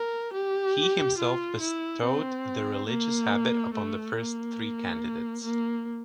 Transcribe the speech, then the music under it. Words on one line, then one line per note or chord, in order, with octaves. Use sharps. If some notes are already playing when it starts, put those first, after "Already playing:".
He himself bestowed the religious habit upon the first three candidates.
Already playing: A#4
G4
F4
E4
C4
A#3
A3
A#3
A#3